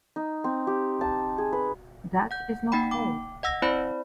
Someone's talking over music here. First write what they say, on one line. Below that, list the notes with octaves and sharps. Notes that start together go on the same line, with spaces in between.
That is not all.
D#4
C4
G4
A5
G#4
B4
F#5 G6
A#3 D#4 F#5 G5 B5
G5 D6
D#5 F#5 E6 A#6
C4 E4 C5 D5 B5